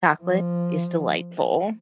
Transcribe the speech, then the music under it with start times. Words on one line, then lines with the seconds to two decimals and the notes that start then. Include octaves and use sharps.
Chocolate is delightful.
0.23 F3